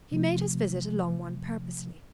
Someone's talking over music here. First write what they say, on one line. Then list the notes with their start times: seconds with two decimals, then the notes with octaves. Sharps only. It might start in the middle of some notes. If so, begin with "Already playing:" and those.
He made his visit a long one purposely.
0.12 C3 F3 A3